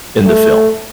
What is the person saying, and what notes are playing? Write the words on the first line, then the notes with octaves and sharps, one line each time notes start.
in the film.
A3